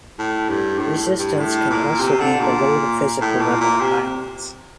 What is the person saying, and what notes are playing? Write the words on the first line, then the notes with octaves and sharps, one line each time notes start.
Resistance can also be below the physical level of violence.
A2
G2
A2
G2
A2
A#2
C3
D3
A#2
A2
A#2
A#2
C3